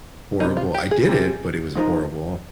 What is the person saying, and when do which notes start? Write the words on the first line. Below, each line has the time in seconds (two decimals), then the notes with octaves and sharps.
horrible. I did it, but it was horrible.
0.40 C2 C3 G3 D#4
0.57 F4
0.74 G4
0.91 G#4
1.07 C2 C3 G3 G#4
1.75 G#2 F3 G#3 D#4 A#4